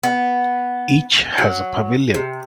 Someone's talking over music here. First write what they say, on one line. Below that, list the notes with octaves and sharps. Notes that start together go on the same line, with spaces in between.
Each has a pavilion.
B3
F#3
C3